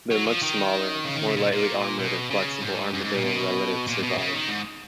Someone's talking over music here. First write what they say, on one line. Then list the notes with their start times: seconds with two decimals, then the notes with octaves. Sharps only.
Their much smaller, more lightly armored and flexible armadillo relatives survived.
0.11 F#3
0.26 F3
0.42 D#3
1.05 C#3
1.15 D#3
1.26 C#3
1.36 A#2
1.52 A#2
1.99 B2
2.31 C#3
2.61 G#2
2.93 F#2
3.04 G#2
3.14 A#2
3.24 B2
3.87 A#2
4.03 B2
4.18 C#3
4.33 D#3
4.49 G#2